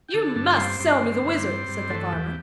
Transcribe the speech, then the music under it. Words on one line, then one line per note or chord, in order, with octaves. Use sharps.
'You MUST sell me the wizard,' said the farmer.
G5
D3 A4 A5
G2 A4 A5
G3 C4 C5
G2 C4 C5
D3
G2
G3
G2
E3 A3 A4
E2 G4